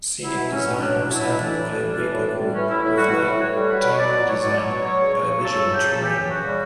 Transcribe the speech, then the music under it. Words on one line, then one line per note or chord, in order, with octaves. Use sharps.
Scenic design was handled by Weber Group with lighting designed by Visual Terrain.
F#3 E4
B2
F#3 C#4
B2
C#4
F#3 D4
B2
F#3 E4
B2
E3 D4
A2
A2
G3
E3
A2
A2
G3
E3 C#4
A2 E4
A2 E4
G3 F#4
E3 F#4
A2
A2 C#5
G3
F#3 B4
B2 B4
C#5
F#3 D5
B2
F#3 C#5
B2
D5
F#3 C#5
B2
F#3 C#5
C#3
F#3 C#5
C#3
F#3 A4
C#3
F#3 G4
C#3
A4
E3 G4
C#3
C#3 F#4
G3